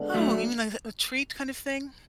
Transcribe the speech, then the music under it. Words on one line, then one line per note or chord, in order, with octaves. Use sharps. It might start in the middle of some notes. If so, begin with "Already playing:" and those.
Oh, you mean like a a treat kind of thing?
Already playing: D3 G#3 B3
F#3 A3